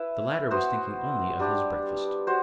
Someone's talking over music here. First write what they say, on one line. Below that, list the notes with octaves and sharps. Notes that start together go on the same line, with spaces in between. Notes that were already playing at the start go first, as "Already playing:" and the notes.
The latter was thinking only of his breakfast.
Already playing: E4 B4 E5
B3 F#4 C5
G3 D4 G4
F#4 C5